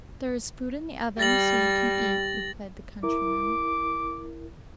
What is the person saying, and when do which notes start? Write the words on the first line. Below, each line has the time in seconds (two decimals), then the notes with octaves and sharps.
'There is food in the oven, so you can eat,' replied the countryman.
1.19 G3 A6 A#6 F#7
3.03 E4 A#4 D6